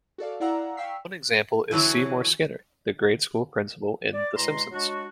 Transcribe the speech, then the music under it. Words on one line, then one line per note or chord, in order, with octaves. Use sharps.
One example is Seymour Skinner, the grade-school principal in "The Simpsons".
F#4 A4 D5 F5
E4 D5 F5 F#5 A#5 E6
F5 G5 C#6 E6 B6 C7
D3 E3 F#3 C#4
D5
E2 B2 G#3 A#5 C6
F#3 G#3 D4 F#4